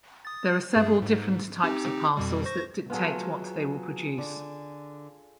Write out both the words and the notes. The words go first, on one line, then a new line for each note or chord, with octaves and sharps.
There are several different types of parcels that dictate what they will produce.
D#6 A6
G2 G#4
G#2
C4 D#4 G4
F2 B2 G3
C5 C#6 A#6
F#3 B3 F4 G#4 A4
D3